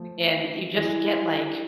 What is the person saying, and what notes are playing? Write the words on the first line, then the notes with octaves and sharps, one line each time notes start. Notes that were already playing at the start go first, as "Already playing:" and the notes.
and you just get like,
Already playing: F3 A3
E3 G3